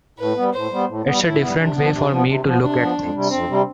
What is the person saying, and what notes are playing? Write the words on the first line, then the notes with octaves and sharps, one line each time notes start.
It's a different way for me to look at things.
A2 B4
G3 B3
A2 C5
G3 B3
A2
G3 B3
A2 E4
G3 B3
C3 D4
F3 B3
C3
F3 B3
C3
F3 B3
C3 D4
F3 B3
F2
C3 G3
F2 C4
C3 G3